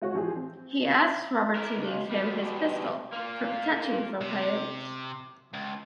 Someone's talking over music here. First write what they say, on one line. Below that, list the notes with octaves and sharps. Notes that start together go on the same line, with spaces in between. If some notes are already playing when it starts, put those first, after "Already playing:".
He asks Robert to leave him his pistol, for protection from coyotes.
G#3 F4 F#4 C#5
E3 F3 G4 G#4
C4
E4 A#4
C#2
B2 G3
A#3 F4
C3
C#2